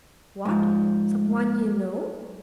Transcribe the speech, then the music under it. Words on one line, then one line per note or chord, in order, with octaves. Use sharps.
"What! someone you know?"
G#2 F3